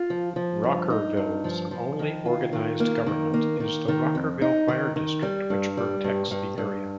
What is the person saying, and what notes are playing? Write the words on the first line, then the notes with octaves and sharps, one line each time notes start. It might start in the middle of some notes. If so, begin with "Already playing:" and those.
Rockerville's only organized government is the Rockerville Fire District, which protects the area.
Already playing: F4
F3
F3
G2
D#4
G2
F3
F3
D#3
F4
D#3
A#3
D#3
A#3
D#3
D#3
F2
D#4
D#3
D#3
G3
G2
G3
G2
G2
G2